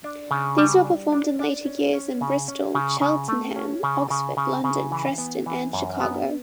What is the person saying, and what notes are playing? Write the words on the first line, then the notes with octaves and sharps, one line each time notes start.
These were performed in later years in Bristol, Cheltenham, Oxford, London, Dresden and Chicago.
D4
C#3
G3
D4
D4
D4
C#4
C#4
C#3
C#4
C#3
C#3
A3
C#4
C#3
C#3
C#3
C#3
E3
B3
E3
F#2
B3